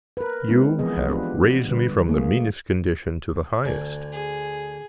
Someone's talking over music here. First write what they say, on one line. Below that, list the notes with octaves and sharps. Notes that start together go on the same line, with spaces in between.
You have raised me from the meanest condition to the highest.
A#4 B4
G#3 B3 C4 D4 E4
E3 F3 B3 G#4 B4 D#5
B3 D4 F4 G4 B4
D3 G3 B4
A3 A#3 G#4
D2 D3 G#5
G#4